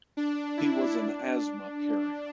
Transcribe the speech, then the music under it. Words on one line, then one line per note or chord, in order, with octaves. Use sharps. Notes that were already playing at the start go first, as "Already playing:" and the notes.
He was an asthma carrier.
D4
E4
D4